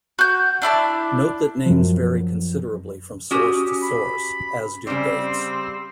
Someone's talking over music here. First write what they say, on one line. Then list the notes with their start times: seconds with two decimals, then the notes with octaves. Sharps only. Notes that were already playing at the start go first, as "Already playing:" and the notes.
Note that names vary considerably from source to source, as do dates.
0.19 F#4 G6
0.62 D4 E4 D5 A5
1.66 F#2 F3
3.31 C#4 F#4 G4 D#6
3.82 B5
4.87 C#3 G3 C4